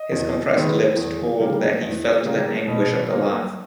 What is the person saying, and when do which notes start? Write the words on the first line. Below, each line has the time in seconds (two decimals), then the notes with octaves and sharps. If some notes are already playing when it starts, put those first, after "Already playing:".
His compressed lips told that he felt the anguish of the laugh.
Already playing: D#5
0.12 E2
0.55 D#3 G#3 B3
0.97 E2
1.40 C#3 G3 A#3
1.82 E2
2.25 C#3 G3 A#3
2.68 B2
3.11 A#3